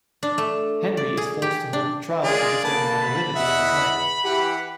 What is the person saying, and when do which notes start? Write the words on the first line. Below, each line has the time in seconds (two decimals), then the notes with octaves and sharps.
Henry is forced to hold a trial to determine the validity of the claims.
0.23 D4
0.38 A3
0.97 D5
1.17 G#4
1.42 G4
1.73 D4
2.24 G#3 D4 F4 G#4 A#4 D5
2.64 D3 A#3 B4 A5
3.02 B5
3.35 E2 D#5 E5 F#5
4.25 E3 G4 B4 F#5